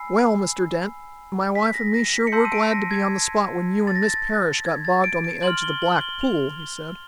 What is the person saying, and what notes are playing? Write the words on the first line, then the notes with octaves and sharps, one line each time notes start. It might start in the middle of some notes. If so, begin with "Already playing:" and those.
"Well, Mr. Dent, my wife and me sure were glad to be on the spot when you and Miss Parrish got bogged on the edge of the Black Pool," he said.
Already playing: G#5 B5 E6 C7
B6
A#6
A#6
B6
C#7
A5 C6 E6 G6 C7
D#7
D7
A#6
G#6
A6
A#6
A6
G#6
A6
D7
D7
C6 F6 F#7
G7
F#7
G7
F7
G7